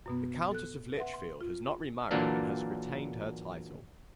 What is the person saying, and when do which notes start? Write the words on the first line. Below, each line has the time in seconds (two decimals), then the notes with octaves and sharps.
The Countess of Lichfield has not remarried and has retained her title.
0.06 F#2 B2 B3
0.51 A4 F#6
0.97 B4 E5 F#5 C6
1.14 C6
1.41 F4
2.11 A#2 D3 E3 F#3 A#3 D4